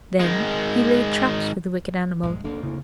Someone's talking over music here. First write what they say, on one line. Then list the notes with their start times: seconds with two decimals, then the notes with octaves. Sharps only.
Then he laid traps for the wicked animal.
0.20 D#3 G#3
2.23 A#1 G2 G#3
2.44 F1 D2 D3 A#3
2.63 A2 C#3